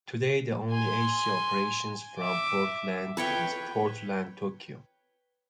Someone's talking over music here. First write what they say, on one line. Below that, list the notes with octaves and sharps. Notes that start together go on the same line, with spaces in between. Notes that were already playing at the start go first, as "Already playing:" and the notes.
Today, the only Asia operations from Portland is Portland-Tokyo.
G#5 C6
E5 D6
B4 C#5 G5